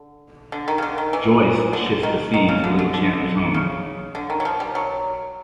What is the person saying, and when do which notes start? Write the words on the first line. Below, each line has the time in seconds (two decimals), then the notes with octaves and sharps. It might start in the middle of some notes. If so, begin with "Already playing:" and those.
Joyce shifts the scene to Little Chandler's home.
Already playing: D3
0.52 D3
0.68 D#3
0.78 C#3
0.82 D3
0.98 D#3
1.13 E3
1.73 D3
2.03 D#3
2.34 D#3
2.48 C#3
2.64 D3
2.79 D3
2.94 D3
3.54 C#3
4.15 D3
4.30 D#3
4.40 F#3
4.45 F3
4.60 G3
4.75 F#3